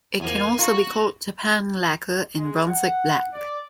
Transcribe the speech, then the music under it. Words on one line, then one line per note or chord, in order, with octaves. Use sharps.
It can also be called japan lacquer and Brunswick black.
E2 F3 A#3 G#5
F4 F#4 A#4
G#3
F#5
D5